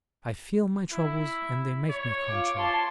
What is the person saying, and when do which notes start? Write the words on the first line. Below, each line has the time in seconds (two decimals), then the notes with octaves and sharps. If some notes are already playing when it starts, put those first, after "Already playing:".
I feel my troubles, and they make me contrary.
0.93 E4
1.90 C#5
2.29 F4 D6
2.59 A5 C6